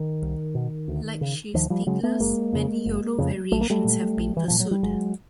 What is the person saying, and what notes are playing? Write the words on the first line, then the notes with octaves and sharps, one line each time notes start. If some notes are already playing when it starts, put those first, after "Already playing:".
Like Schiefspieglers, many Yolo variations have been pursued.
Already playing: D#3
C2
B2
D2
C#3
D2 D#3 F3
F3 G3
C#3 F#3 G#3
A3 B3
F#1 G#3 A#3
F2 C#3
F#1
F2 C#3
A#1 A3
A#3
G3 A3
A#2
A#1
E3
A#2 F3
F#3
G3
G1 F#3 G#3